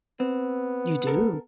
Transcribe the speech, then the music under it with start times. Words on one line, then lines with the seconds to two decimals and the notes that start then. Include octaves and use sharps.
You do.
0.20 B3 C4
1.07 A4 A#4